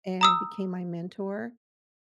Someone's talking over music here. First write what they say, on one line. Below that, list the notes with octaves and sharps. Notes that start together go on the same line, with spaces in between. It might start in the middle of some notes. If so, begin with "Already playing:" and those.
and became my mentor,
A#5 D#6 E6